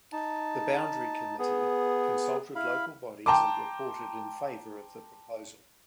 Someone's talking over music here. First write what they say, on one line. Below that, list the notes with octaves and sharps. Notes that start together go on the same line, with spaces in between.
The Boundary Committee consulted local bodies and reported in favour of the proposal.
D#4 A5
B3 G#4
E4 F5 B5
G5 A5 A#5 C6 D6